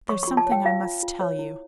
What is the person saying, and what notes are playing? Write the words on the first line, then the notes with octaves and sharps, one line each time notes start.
'There's something I must tell you.
C#5 C#6
F4 C#6
A5
C#5
G5
F4 F5
F4
F4
C#5
E4